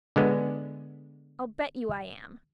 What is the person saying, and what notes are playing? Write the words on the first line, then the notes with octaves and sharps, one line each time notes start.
"I'll bet you I am!"
D3 G#3 B3